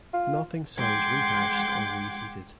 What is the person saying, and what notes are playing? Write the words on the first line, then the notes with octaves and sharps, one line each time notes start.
Nothing sounds rehashed or reheated.
F4
G#3 F#5 G5 C6 D6 G#6